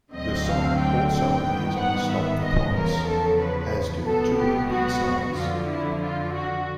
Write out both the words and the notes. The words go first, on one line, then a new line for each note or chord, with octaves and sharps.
The song also appears on "Stop the Clocks", as do two of the B-sides.
D2 D3 F#3 A3 C4 D#5
F5
G5
G5
G#2 D#3 G3 B3
F#5
E5
D#5
E2 C#3 F3 A#4
A4
B4
C#2 B2 F#3 B3 A4
G4
F#4
F2 D3 F3 F4
E4
F4
F#4